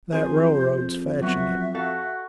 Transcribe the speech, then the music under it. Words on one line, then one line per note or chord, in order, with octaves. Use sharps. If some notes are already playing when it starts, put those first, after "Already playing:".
That railroad's fetching it.
F2 G#4 C5
F#3 B3 F#4 E5
F#4 A4 F5